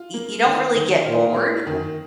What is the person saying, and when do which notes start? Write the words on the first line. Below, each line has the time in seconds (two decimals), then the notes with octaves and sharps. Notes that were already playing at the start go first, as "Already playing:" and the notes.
Y You don't really get bored
Already playing: F4
0.14 A#3
0.45 D#3
0.75 D#3
1.05 A#2 F4
1.36 A#3
1.67 F#2 D#3